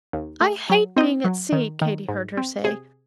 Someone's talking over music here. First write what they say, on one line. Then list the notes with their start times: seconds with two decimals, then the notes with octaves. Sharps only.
"I hate being at sea," Katy heard her say.
0.13 D#2
0.41 A3
0.70 F#3
0.97 C4 D#4 D#5
1.24 F#3
1.52 D#3
1.81 D#3
2.09 G#2
2.37 C4
2.64 C3 G#4